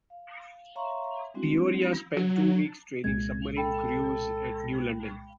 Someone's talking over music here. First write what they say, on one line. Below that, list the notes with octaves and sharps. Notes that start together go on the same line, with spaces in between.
"Peoria" spent two weeks training submarine crews at New London.
F5
C#5 E5 F5 A#5 C6 C#6
G3 G#3 C4 D4 E4 F#4
F#3
C2 A#2 G#3 G#6
A4 G5 B5